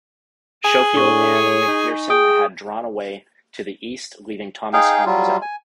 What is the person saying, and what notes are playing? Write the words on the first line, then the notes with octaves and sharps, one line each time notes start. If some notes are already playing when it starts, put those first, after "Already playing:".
Schofield and McPherson had drawn away to the east, leaving Thomas on his own.
G#4 G#5 F#7
A2 D4 C#6 D#7 G7
C#5
D#4
G#4 G5 D#6
D#4 G#4 F5 G5
F#3 G3 F4
G#5